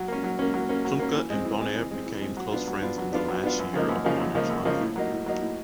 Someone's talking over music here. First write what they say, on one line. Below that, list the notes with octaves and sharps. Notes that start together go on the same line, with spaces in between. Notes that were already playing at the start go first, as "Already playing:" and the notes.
Klumpke and Bonheur became close friends in the last year of Bonheur's life.
Already playing: F#3
A#3 C#4
F#3
A#3 C#4
F#3
A#3 C#4
F#3
A#3 C#4
E3
G#3 C4
E3
G#3 C4
E3
G#3 C4
E3
G#3 C4
F#3
B3 D4 F4
F#3
B3 D4 F4
F#3
B3 D4 F4
F#3
B3 D4 F4
F#2
C#3 F3 A#3 D#4
F#2
C#3 F3 A#3 D#4
F#2
C#3 F3 A#3 D#4
F#2
C#3 F3 A#3 D#4
A2
F#3 A#3 D#4
A2
F#3 A#3 D#4
A2